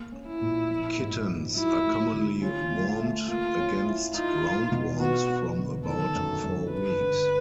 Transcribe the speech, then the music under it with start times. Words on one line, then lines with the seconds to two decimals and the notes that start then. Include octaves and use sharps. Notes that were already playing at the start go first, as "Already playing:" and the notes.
Kittens are commonly wormed against roundworms from about four weeks.
Already playing: A#3
0.12 C#4
0.27 E4
0.41 A#2
0.70 F3
0.98 G#2
1.28 F3
1.56 F#3 E4
1.85 A3
2.13 D3
2.42 C#4 F4
2.70 A3
2.99 A3
3.28 A#3 F4
3.57 C#4
3.85 E4
4.14 D#4 F4
4.43 D#4
4.72 B2
5.00 B3 F#4
5.29 B3
5.57 D3
5.86 D#3 A4
6.15 F#2
6.44 F#2
6.72 G2 B4
7.01 D3